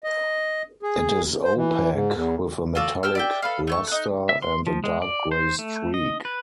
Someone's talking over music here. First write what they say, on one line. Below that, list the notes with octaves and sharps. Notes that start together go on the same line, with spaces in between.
It is opaque with a metallic luster and a dark gray streak.
D#5
G#4
C5
E3
G#2
E2
F4 F#4 A4 D5
G5 A5 E6 F6
D5 E5 G5
A4 B4 F5
A3 G#5 C#6
D#4 F#6
E5
C6
F3
G#3
D5
C5
A3
D#5
B4